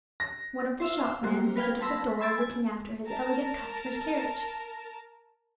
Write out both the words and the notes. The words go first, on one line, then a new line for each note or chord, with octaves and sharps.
One of the shopmen stood at the door looking after his elegant customer's carriage.
A#6
C5 E5 F5
F#3 G3 A#3 F#4 C5
A#4 B4 F5 G5 G#6
A5 B5 C6 E6 A#6 B6
B5 C6 E6 G#6 A6 D7
G#5
A#4 A5 A#5